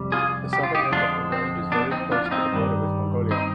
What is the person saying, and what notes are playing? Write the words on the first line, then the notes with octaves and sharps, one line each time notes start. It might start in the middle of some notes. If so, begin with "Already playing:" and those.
The southern end of the range is very close to the border with Mongolia.
Already playing: F2 C3 G3
F4 G#4
G4
F4
D#4 G4
F2 D3 F3 G#3 D4 F4
C4
B3 D4
C4 D#4
D4 F4
F4
C4 D#4
G2 D#3 G3
C4 D#4